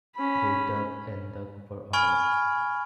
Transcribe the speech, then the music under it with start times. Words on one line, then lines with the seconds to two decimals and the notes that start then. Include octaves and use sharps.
They dug and dug for hours.
0.15 C#4 B5
1.93 G#5 B5 C#6 F6 G#6 D7